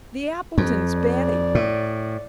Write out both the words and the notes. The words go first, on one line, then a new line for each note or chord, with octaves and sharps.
The Appletons' Betty.
F2
D5
A2